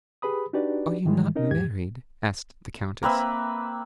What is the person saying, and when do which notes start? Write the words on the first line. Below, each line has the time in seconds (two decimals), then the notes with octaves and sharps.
"Are you not married?" asked the countess.
0.22 G4 G#4 B4 B5 D#6
0.53 D4 D#4 F#4 G4 B4 D5
1.05 G#2 D#3 E3 G3 G#3
1.36 C#4 D#4 A#4 D#5
1.51 E2 G#2 G4 G#6
3.03 A#3 C4 B4 E5